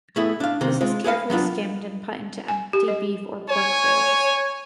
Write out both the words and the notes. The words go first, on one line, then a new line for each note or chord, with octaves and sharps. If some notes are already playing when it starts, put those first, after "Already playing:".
This is carefully skimmed and put into empty beef or pork barrels.
A3 B3 E4 G#4 E5
D4 F5
C3 D#3 A#3 C4
G#3 F4
G#4 B4 D#5 F5
F#3 B3 D4 F4
G#5
G4
D#5
C#5 G#5